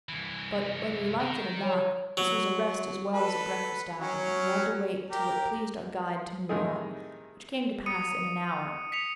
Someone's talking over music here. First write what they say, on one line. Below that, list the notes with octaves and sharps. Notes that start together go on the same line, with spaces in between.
But, whether he liked it or not, this was a rest as well as a breakfast hour and he had to wait till it pleased our guide to move on, which came to pass in an hour.
C2 E3
D#3
C#5
F#3
A4 B4
F#3 C#4
G4 A#4
A2 C3 D#3 G#3 D#4 G#4
D#6 C#7 D#7
B6 C#7 F7